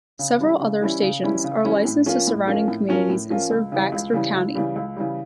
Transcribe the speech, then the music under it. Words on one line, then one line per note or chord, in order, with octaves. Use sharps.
Several other stations are licensed to surrounding communities and serve Baxter County.
C#3
E3 G3 C#4 E4
C#3
E3 G3 C#4 E4
C#3
E3 G3 C#4 E4
C#3
E3 G3 C#4 E4
A2
F3 C#4 F4 A#4
A2
F3 C#4 F4 A#4
A2
F3 C#4 F4 A#4
A2
F3 C#4 F4 A#4
C#2
C#3 E3 G3
C#2
C#3 E3 G3
C#2
C#3 E3 G3
C#2
C#3 E3 G3